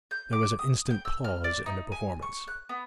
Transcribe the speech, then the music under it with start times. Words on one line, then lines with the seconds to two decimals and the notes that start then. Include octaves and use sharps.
There was an instant pause in the performance.
0.11 G6
0.33 D6
0.59 D#6
0.91 G5
1.05 E6
1.24 F6
1.44 D5
1.66 D#4
1.92 G#5
2.22 C#6
2.48 F#6
2.69 B3